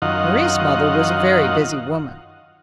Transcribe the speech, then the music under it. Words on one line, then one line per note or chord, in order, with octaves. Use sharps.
Mari's mother was a very busy woman.
F#2 D#3 F4 D#5 F#5